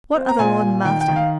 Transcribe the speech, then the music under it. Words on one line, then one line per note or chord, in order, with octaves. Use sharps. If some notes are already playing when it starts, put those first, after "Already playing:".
What other lord and master?
C4
A#5
A#2 G#5
A#2
D#3 G5
G5
D#3
F5